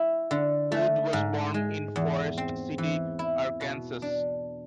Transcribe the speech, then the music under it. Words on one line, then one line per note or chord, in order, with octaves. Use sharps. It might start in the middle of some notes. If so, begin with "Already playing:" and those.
Wood was born in Forrest City, Arkansas.
Already playing: E4
D3
A3
G#2
G#3
E2
C4
E3
E4
B2
D4